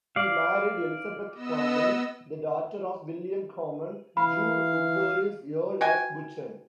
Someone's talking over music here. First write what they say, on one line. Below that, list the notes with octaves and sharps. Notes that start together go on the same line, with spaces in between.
He married Elisabeth Comyn, the daughter of William Comyn, jure uxoris Earl of Buchan.
D5 F5
B3 D#5 E6
E3 F5 B5
F#4 G5 G#5